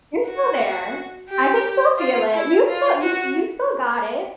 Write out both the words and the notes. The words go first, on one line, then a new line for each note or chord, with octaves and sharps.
You're still there. I can still feel it. You still you you still got it.
F#4
G4
F4
E4
F4
F#4